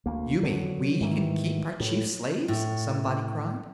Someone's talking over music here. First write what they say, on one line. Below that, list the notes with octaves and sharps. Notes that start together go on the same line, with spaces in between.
"You mean, we can keep our chief-slaves?" somebody cried.
D2 A#3
D3 F#3
G#2 D#3 E3
A2
A2